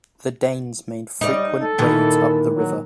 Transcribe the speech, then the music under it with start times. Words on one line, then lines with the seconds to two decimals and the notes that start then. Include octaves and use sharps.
The Danes made frequent raids up the river.
1.21 G3 D#4 D5
1.61 A4
1.78 A#2 D#3 E3
2.54 F#3